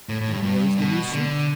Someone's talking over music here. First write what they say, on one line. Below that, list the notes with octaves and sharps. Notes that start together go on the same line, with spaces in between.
"And where is the new suit?"
A2
A2
G2
G2
B2
D3